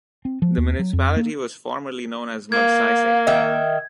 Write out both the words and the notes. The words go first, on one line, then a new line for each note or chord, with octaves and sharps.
The municipality was formerly known as Magsaysay.
C4
F3
D#2
F#3
F2
A#3
A#3 F5 G#6
D#3 E5